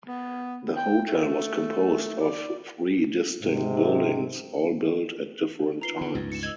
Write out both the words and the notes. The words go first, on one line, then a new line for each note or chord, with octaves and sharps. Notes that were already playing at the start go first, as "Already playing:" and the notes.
The hotel was composed of three distinct buildings all built at different times.
B3
G5
A3
D5
G#2 C3
D#4 F4 B4 A#5 C7 G7
D3
C#2 G2
C#7 E7
D#5 E6 G#6